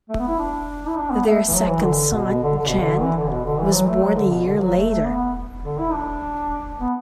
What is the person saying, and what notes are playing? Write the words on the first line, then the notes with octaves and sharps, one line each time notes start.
Their second son, Gen, was born a year later.
A3
B3
E4
D4
E4
D4
B3
A3
E3
F#3
E3
D3
B2
D3
D3
B2
D3
E3
D3
B2
D3
E3
F#3
A3
F#3
D3
B2
D3
F#3
A3
A3
B3
D3
E4
D4
B3